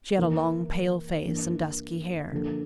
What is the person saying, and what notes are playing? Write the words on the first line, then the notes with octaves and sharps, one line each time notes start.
She had a long, pale face and dusky hair.
E2 E3 A#3 E4 A#4
G2 E3 A#3
D3 F3 A#3 D4 A4